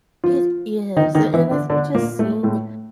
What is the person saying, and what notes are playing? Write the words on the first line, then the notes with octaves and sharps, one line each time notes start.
It is, an and I think just seeing,
F3 F4
D#3 D#4
D#3 D#4
E3 E4
D3 D4
D3 D4
A#2 A#3
A2 A3
A2 A3